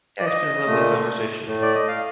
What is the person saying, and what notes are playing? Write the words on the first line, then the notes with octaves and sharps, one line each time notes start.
yeah, it's been a lovely conversation.
D5
D#5
A#2 A3
A2 A3
D5
D#5
F5